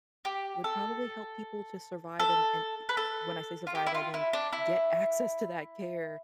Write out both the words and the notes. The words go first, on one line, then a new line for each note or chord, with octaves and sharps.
would probably help people to survive, and and e s when I say survive, I mean get access to that care
G4
A4
A4
B4
A4
F4
G4
E4
F4
E4
D4
E4